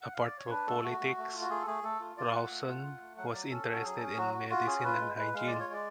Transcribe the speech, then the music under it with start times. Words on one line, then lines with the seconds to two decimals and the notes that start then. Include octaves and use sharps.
Apart from politics, Rawson was interested in medicine and hygiene.
0.01 F#5
0.14 F5
0.25 D5
0.38 C#5
0.49 D4 B4
0.67 A3 A4
0.83 A3 F#4
1.00 A3
1.17 A3
1.33 F4
1.41 F#4
1.49 A3 G#4
1.61 A4
1.67 A3 G#4
1.84 A3 A4
2.00 F4
2.17 F4 D5
2.28 F5
2.33 F4 F#5
2.50 A3
2.67 F4
2.83 F4
3.01 A3
3.17 F#3 F#5
3.25 F5
3.33 F#3 D5
3.50 C#4 A4
3.67 C#4
3.72 F#4
3.83 F#3 G#4
3.97 A4
4.00 C#4 G#4
4.17 F#3 F#4
4.34 F#4
4.50 F4 F#4
4.66 C#4 G#4
4.84 F4 B4
5.00 G#3
5.17 G#3 B4
5.34 G#3 F5
5.47 F4 D5
5.60 C#5
5.68 G#3
5.73 D5